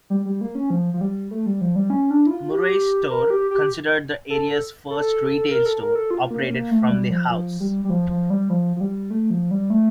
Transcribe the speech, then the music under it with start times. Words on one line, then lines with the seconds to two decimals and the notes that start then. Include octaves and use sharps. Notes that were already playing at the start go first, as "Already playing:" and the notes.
Murray's store, considered the area's first retail store, operated from the house.
0.10 G3
0.25 G3
0.41 A#3
0.55 C#4
0.70 F3
0.94 F3
1.01 G3
1.31 A3
1.46 G3
1.61 F3
1.76 G3
1.90 C#4
2.11 D4
2.27 E4
2.31 F4
2.51 G4
3.10 A#4
3.30 G4
3.51 G4
4.30 A4
4.90 A4
5.51 A#4
5.65 A4
5.80 A#4
5.95 A4
6.11 F4
6.31 A#3
6.42 C#4
6.50 A#3
6.71 A3
6.90 G3
7.10 F3
7.30 F3
7.60 G3
7.85 G3
7.90 F3
8.10 F3
8.30 G3
8.50 F3
8.76 F3
8.81 G3
9.10 A3
9.30 F3
9.51 G3
9.70 A3